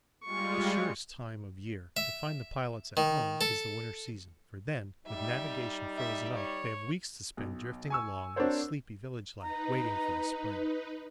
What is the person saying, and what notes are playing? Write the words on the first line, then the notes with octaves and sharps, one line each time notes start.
The surest time of year to find the pilots at home is the winter season; for then, with navigation frozen up, they have weeks to spend drifting along in the sleepy village life, waiting for the spring.
G3 G#3 F4 C#6
E5
D#3
A4
G3 D#4 E5
E5
C#5
B1
G#5 C#6 E6
C4 D4 F#4 A#4 C5 C#5
D#4 B4 A#5